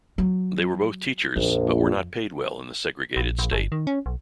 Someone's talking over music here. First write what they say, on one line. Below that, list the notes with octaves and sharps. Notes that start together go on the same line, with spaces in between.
They were both teachers, but were not paid well in the segregated state.
F#3
A#1 F2
A#1
A#1
G1
D#3
C#4
B1